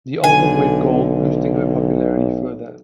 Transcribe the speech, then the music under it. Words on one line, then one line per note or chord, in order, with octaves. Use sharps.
The album went gold, boosting her popularity further.
B1 D3 G#5